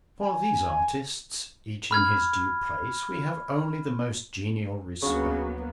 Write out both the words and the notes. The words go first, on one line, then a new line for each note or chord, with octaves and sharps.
For these artists, each in his due place, we have only the most genial respect.
G#5
B5 F6 G#6
D2 C#3 F#3 A#3 B3 F#4 C#6